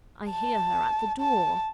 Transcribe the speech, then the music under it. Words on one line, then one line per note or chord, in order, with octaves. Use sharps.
'I hear her at the door!'
A5
A5